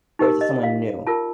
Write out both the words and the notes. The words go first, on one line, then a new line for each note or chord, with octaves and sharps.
Or is it someone new?
D#4 G4 A#4
D#5
F5
F4 A#4 A5